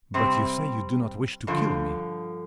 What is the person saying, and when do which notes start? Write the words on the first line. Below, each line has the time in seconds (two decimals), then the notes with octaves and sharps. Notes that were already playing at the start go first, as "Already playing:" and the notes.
"But you say you do not wish to kill me?"
0.14 C3 G3 C4
1.47 G2 D3 F3